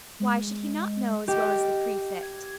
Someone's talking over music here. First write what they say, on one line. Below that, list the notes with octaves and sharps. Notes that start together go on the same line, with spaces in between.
'Why should he not know as well as the prefect?
G#3
G4 D#5
G#6